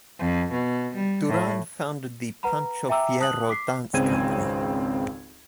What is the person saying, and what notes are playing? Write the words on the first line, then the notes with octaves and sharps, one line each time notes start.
Durand founded the Pancho Fierro Dance Company.
F2
B2
G3
A2
B4 F#5 A#5 B5
E5 G5 G#5 A#5 D6 E6
A5 D#6 F#6 F#7
D6 B6 C7
G#1 C#2 C#3 C4 G#6 D#7